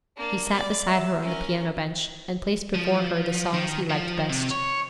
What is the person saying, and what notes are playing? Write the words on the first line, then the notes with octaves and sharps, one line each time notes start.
He sat beside her on the piano-bench, and placed before her the songs he liked best.
A#3 D4
D5 A6
E5 E7
C#4 A#4
F3
D#3
F3
C3
C#5